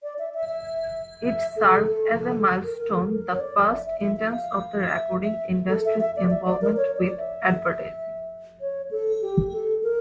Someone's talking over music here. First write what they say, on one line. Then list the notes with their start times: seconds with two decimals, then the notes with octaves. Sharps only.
It served as a milestone-the first instance of the recording industry's involvement with advertising.
0.03 D5
0.19 E5
0.34 E5
0.49 E5
1.25 E5
1.56 A4
1.87 A4
2.18 A4
2.64 A#4
2.79 A#4
2.95 A4
3.09 A#4
3.33 C#5
3.40 D5
3.71 E5
3.87 E5
4.01 E5
4.17 E5
4.31 F5
4.94 E5
5.24 E5
5.69 A4
5.85 E5
6.00 E5
6.16 D5
6.31 E5
6.46 D5
6.62 A#4
6.77 C#5
6.97 D5
7.18 E5
8.60 C#5
8.91 A4
9.22 G4
9.53 A4
9.83 A#4